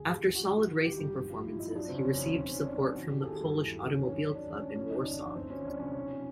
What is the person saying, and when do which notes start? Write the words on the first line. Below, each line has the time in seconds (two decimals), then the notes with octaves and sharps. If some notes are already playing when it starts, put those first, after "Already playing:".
After solid racing performances, he received support from the Polish automobile club in Warsaw.
Already playing: D2 G#4
0.10 F3 G4
0.25 D2
0.35 D3 F#4
0.54 F3 E4
0.70 D3
0.85 G#1 G4
0.99 G2
1.14 B1
1.29 F3 F4
1.45 B1 E4
1.59 A2 D#4
1.75 F#3 D4
1.88 C#3 C4
1.95 C#4
2.05 F#1
2.15 E2 C#4
2.35 B1 C4
2.49 F#3 C#4
2.64 B1 D4
2.79 A2
2.95 G#1 F#4
3.10 E3 G4
3.20 A4
3.25 G#1 G#4
3.40 G2
3.55 D#2 E4
3.69 F#3
3.85 D#2
3.95 D#3 C#4
4.15 F#3 C#4
4.30 D#3 D4
4.46 A1
4.55 G#2 C#4
4.74 F#3 C#4
4.90 D3 D#4
5.05 G1 D4
5.20 F2 C#4
5.35 D2 C4
5.50 F3 C#4
5.65 D2 D4
5.79 C3 C#4
5.95 B1
6.10 F3